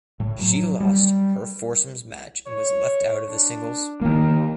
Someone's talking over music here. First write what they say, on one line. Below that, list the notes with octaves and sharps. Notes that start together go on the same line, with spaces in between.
She lost her foursomes match and was left out of the singles.
A2
F#3
G3
C#5
D4
D#3 A#3 A#4